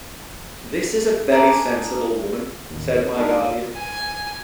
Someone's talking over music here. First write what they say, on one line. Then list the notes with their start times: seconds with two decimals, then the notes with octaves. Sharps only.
"This is a very sensible woman," said my guardian.
1.32 A#3 D4 G#4
2.71 A1 D#2
2.98 C#5
3.16 G#3 D4 D#4 G#4 A#4
3.76 G#5